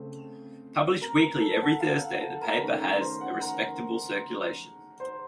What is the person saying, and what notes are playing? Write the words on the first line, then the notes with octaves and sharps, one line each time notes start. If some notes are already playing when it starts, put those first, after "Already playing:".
Published weekly every Thursday, the paper has a respectable circulation.
Already playing: C#3 A3 C4 C5
A#4 A#5
A#4 A#5
A4 A5
F#5
F5
F#5
A4 A5
A#4 A#5
D#3 A3 C#4 A#4 A#5
A#4 A#5
C5 C6
F#5
A#4 A#5
C5 C6